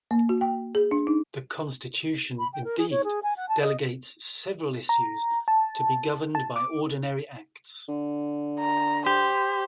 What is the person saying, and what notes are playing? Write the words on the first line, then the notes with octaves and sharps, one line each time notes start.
The Constitution, indeed, delegates several issues to be governed by ordinary Acts.
A#3
F#4
G5
G#4
D4
D#4
B5
G5
A#4
G#4
C#5
G#4
G#5
F#5
A5
D#5
A#5
A5
A5
D6
D3
A#5
G4 C5